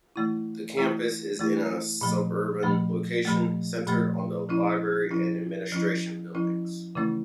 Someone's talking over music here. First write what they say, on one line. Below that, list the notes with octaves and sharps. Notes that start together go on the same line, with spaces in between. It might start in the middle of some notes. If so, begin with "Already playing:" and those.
The campus is in a suburban location, centred on the library and administration buildings.
E3 A3 E4
E3 A3 E4
E3 A3 E4
A#2 F3 A3
A#2 F3 A3
A#2 F3 A3
A#2 F3 A3
F3 C#4 E4
F3 C#4 E4
F3 C#4 E4
F3 C#4 E4
C#3 E3 A3 C#4 E4